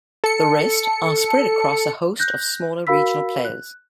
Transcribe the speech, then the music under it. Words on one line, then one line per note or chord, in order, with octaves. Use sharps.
The rest are spread across a host of smaller, regional players.
A4 C#7
F#6 G6 A#6
F#4 A#4 F5 B5 E6 B6
F#6